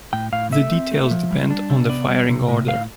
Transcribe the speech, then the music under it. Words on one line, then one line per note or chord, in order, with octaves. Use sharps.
The details depend on the firing order.
A2 G5
A2 F5
A3 E5
C4
A3
F3
G3
D4
C3
B3 D5
G3
C3
A2
A2 F5